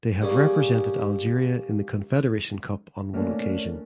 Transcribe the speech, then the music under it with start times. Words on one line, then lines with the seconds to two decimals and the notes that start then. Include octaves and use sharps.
They have represented Algeria in the Confederation Cup on one occasion.
0.22 G3 A#3 C#4 G#4
3.14 A3 A#3 C#4 D4